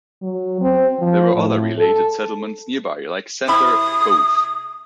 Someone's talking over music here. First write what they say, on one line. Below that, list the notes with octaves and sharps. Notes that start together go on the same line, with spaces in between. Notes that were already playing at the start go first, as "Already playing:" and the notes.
There were other related settlements nearby like Centre Cove.
F#3
C4
F3
A2
A4
C3 E4 B5 D#6